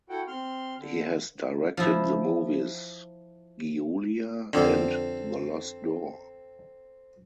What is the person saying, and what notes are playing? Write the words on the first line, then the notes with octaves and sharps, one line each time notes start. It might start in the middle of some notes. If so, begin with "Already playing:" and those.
He has directed the movies "Giulia" and "The Lost Door".
E4 F#4 A4 F#5 G5
C4 C6 F6
D3
F3 E4
F2 D3 C4 A4 F5